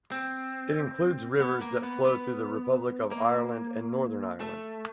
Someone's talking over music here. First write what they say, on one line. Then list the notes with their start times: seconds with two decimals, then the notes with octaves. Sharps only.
It includes rivers that flow through the Republic of Ireland and Northern Ireland.
0.12 C4
1.40 B3
1.61 A#3
1.83 B3
2.05 B3
3.11 A#3
4.40 A3